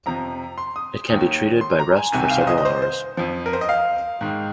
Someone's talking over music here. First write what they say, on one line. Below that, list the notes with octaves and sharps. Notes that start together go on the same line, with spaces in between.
It can be treated by rest for several hours.
F2 C3 F3 A#5
C6
D#6
D#2 D#3 D#6
C6
A#5
G#5
C2 C3 D#3 G#5
F5
C5
D#5
D#5
C5
C5
F2 F3
A#4
C5
D#5
F5
G#2 D#3